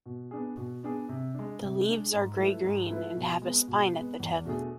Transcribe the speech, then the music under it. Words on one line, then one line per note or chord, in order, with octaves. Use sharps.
The leaves are grey green and have a spine at the tip.
B2
B3 D4 G#4
B2
B3 D4 G#4
C3
G#3 D4
C3
G#3 D4
G#2
F3 A3 E4 B4
G#2
F3 A3 E4 B4
B2
G#3 B3
B2
G#3 B3
E2
B2 A3 D4 G#4